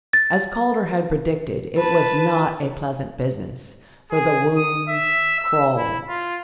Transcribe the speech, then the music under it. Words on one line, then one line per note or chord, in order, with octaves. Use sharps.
As Calder had predicted, it was not a pleasant business; for the wound crawled.
A6
B4 A5
G#4
D#6
E5
E6
E4
F4